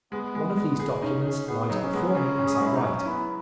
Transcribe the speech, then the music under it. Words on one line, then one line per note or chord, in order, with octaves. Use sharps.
One of these documents lies before me as I write.
G#3 B3
G#3
G#3
G#4
C#4 D#4
C#4 G#4
B3 G#4
F#3 D#4
C#4
G#3 B3
C#4
C#3
C#3
G#4
F#4
G#3
E4
D#4
F#3 C#4
C#4
B3 E4